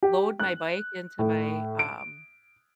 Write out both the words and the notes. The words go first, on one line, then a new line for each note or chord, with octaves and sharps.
load my bike into my, um,
G4
F#6
A2
D7